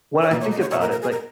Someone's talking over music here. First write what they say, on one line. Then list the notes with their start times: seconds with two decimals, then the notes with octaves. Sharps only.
when I think about it, like,
0.22 C#5
0.31 A#2 B4
0.41 C#5
0.44 A#2
0.51 D#5
0.57 F#2
0.61 C#5
0.71 A#2 C#5
0.81 A#4
0.91 A#4
1.02 G#4
1.12 A#4